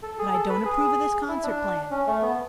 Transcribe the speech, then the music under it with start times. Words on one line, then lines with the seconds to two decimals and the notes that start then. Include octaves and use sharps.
But I don't approve of this concert plan.
0.03 A4
0.19 G#4
0.34 A4
0.49 B4
0.65 G#4
1.28 E4
1.43 D4
1.91 C#4
2.07 A3
2.22 B3